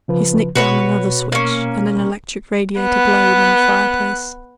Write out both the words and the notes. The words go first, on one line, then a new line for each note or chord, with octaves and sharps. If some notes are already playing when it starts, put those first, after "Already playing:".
He snicked down another switch and an electric radiator glowed in the fireplace.
C#3 F3 B4
B2 F#4 B4 C#5
A#3 C#4
B3 F#6